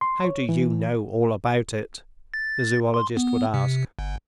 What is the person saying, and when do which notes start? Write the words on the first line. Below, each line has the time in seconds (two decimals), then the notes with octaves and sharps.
"How do you know all about it?" the zoologist would ask.
0.01 C6
0.25 C#5
0.49 E3
2.34 A6
2.94 C6
3.17 B3
3.54 C3
3.99 G1